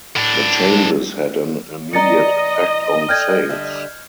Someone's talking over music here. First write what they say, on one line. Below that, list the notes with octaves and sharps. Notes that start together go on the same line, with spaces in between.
The changes had an immediate effect on sales.
A2 D4
E3 D5 D#5 A#5 A6 C#7
A4 D5 G5 F6 G6 G#6
D3 G3 E5